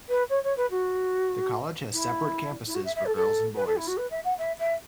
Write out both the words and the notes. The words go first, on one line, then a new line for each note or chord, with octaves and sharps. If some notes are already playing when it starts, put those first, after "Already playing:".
The college has separate campuses for girls and boys.
B4
C#5
C#5
B4
F#4
E4
E4
F#4
E5
E5
A4
A4
B4
A4
E4
F#4
B4
E5
F#5
E5
E5